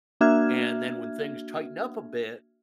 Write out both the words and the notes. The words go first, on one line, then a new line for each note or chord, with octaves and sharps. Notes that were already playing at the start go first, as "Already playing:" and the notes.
and then when things tighten up a bit,
A#3 D4 F#4 E5 F6 G#6